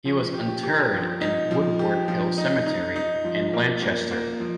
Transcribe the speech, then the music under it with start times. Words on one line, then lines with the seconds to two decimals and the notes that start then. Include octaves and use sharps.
He was interred in Woodward Hill Cemetery in Lancaster.
0.05 F3
0.34 G4
0.63 G4
0.92 F3
1.21 D#4
1.51 F3
1.79 G4
2.08 F3
2.38 D#4
2.66 D#4
2.96 D#4
3.25 F3
3.53 A#3
3.82 A#3
4.11 A#3
4.40 F3